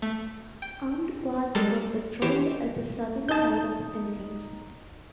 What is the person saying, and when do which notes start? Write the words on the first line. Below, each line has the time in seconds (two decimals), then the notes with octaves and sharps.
Armed guards were patrolled at the southern side of the entrance.
0.02 A3
0.62 G5
1.55 G3 G#3 A4 A#4
2.22 E3 G4 C5 C#5 G5 E7
3.28 D#4 D#5 A5 D#6 G6